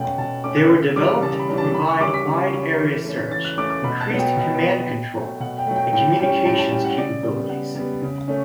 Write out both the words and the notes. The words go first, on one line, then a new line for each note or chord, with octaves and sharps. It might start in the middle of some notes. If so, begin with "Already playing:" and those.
They were developed to provide wide area search, increased command control, and communications capabilities.
Already playing: B2 A3 C#4 F#5 G5
B2 A5
A3 C#4 D6
F#6
C#3 E6
E3 G3 C#4 D6
C#3 A5
B5
E3 G3 C#4
A5
C#3 B5
C#6
G3 C#4 D6
B6
C#3
G3 C#4
E3
A3 C#4
E3 A6
F#6
A3 C#4 D6
D6
B2 B5
A5
F#3 B3
G5
B2
F#3 B3
B2
F#3 A3
B2 F#5
G5
F#3 A3
G5
A2 G5
G3 C#4 G5
A2 A5
A5
G3 C#4 G5
F#5
C#3 D5
G3 B3 D5
C#3 F#5
G3 B3
C#3
A3 C#4